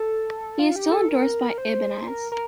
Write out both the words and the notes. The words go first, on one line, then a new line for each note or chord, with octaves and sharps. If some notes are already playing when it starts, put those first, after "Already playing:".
He is still endorsed by Ibanez.
Already playing: A4
F4
G4
A4
A#4
C5
A#4
A#4